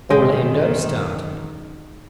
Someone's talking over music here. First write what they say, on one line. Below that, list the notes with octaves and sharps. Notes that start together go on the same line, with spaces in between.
Orlando started.
F#2 A#2 D#3 E3 G#3 D#5 G5